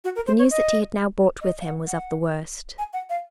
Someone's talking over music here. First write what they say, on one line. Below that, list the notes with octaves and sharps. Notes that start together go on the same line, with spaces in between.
The news that he had now brought with him was of the worst.
F#4
A#4
C5
C#5
D#5
D#5
F5
F#5
F#5
G#5
F#5
F5